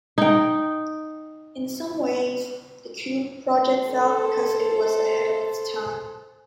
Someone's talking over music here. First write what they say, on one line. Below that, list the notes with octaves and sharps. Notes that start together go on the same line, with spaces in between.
In some ways, the Qube project failed because it was ahead of its time.
D#4 G5
A4 C5